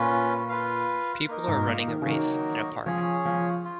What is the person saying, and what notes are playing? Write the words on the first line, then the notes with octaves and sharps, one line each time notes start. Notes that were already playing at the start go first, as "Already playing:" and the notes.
People are running a race in a park.
Already playing: A#2 C#4 F4 B4
F4 B4 F5
A#3 D#4 A#4
G#2
A#2
D#3
C#3
D#3 F#3 A#3 D#4 F#4
F3 C#4 G#4 C#5
F3
F4